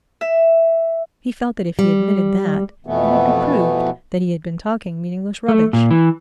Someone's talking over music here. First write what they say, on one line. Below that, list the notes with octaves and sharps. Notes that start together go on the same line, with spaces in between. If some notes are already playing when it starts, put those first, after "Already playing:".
He felt that if he admitted that, it would be proved that he had been talking meaningless rubbish.
E5
G3
F2 B2 E3 A3 B3
A3
A#2
E3